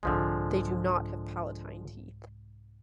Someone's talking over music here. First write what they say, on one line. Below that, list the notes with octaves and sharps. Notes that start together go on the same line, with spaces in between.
They do not have palatine teeth.
C2 G#2 D3 F3 G#3